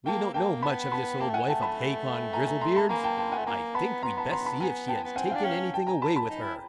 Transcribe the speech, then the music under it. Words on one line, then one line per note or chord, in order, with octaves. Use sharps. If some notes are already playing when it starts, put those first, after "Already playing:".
'We don't know much of this old wife of Hacon Grizzlebeard's, I think we'd best see if she has taken anything away with her.'
A#3 G5 A5
A#3 G5 A5
B3 A5 B5
A5 B5
A#3 G5 A5
A3 F#5 G#5
A3 G5 A5
A5 B5
G#5 A#5
G#5 A#5
A#5 C6
A5 B5
A#3 G#5 A#5
G5 A5
G5 A5
F#5 G#5
A3
A#3 G#5 A#5
B3 A5 B5
B3 A#5 C6
A5 B5
A#5 C6
A5 B5
B3 G#5 A#5
G5 A5
B3
C4 F#5 G#5
D4 F5 G5
C#4 F5 G5
G5 A5
G#5 A#5
A5 B5
A5 B5
D#4
E4